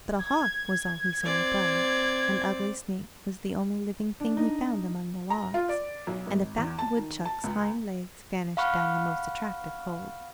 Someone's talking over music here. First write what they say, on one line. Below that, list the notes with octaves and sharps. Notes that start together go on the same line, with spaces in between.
But a hawk was all he saw above, an ugly snake was the only living thing he found among the logs, and a fat woodchuck's hind legs vanished down the most attractive hole.
G#6
C4 D5
D4
D#4
A#5
F4
D5
B1
G#1
E2
A5
D#3
A5
C#2
F5 F#5 B5 C#6 F6 F#6